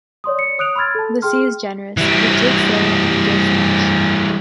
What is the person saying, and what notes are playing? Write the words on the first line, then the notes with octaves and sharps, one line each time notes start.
The sea is generous - it takes little and gives much.
C#5 D5 C6 D#6
C#7
C#5 D#6 F#6 D7 F7
B5 C6 E6 F6 G#6 A6
A4 A5
G#4 G5 C6 F6
E3 G3